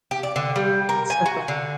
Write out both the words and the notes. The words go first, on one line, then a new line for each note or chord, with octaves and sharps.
So far.
G4
D5
D3
G3
A#4
G#5
F#4
D3